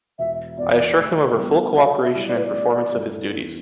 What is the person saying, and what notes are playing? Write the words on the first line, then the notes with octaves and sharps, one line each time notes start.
I assure him of our full cooperation in performance of his duties.
E1 E5
E2 B2 D5
A2
G3 B3
B1 E5
E5
B2 G3 E4 G4
D5
B4
D5
A1
G2 D3 A3 E4
E2